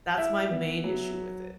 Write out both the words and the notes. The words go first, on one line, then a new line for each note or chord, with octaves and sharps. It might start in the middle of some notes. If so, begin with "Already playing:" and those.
That's my main issue with it.
E4 E5
B3
F#3